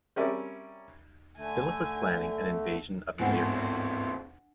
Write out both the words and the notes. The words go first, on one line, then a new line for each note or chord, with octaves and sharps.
Philip was planning an invasion of Illyria.
G3 C4 C#4 A#4 D5 E5
D3 A3 G#5
G#2 E3 B3 C4 D4 F#5 G#5